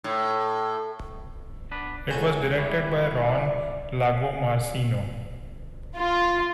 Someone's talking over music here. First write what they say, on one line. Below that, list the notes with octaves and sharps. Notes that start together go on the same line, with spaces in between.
It was directed by Ron Lagomarsino.
A2
B3 D4 B4
C#2 F#4 A4 C5 G#5
G3 E4 C#5
D5
F4